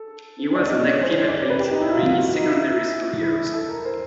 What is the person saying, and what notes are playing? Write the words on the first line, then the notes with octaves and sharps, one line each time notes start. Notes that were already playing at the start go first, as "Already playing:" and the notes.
He was an active athlete during his secondary school years.
Already playing: A4
D5
D#5
D5
C#5
C5
C5
C#5
D5
B4
G4
D#4
E4
F4
F#4
D#4
E4
E4
E4
E4
A4
A#4
C5